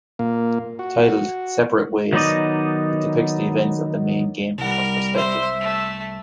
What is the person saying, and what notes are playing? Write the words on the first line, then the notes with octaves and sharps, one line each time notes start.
Titled "Separate Ways", it depicts the events of the main game from her perspective.
A#2 A#3
F#4
D#3 F#3 B3 D#4 D5 D#5
C2 G3 A#4 F#5
C5 E5
A3